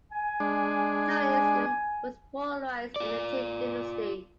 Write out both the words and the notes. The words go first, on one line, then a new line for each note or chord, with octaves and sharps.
Taoism was polarized in the Jin dynasty.
G#5
G#3 D4
F4 D5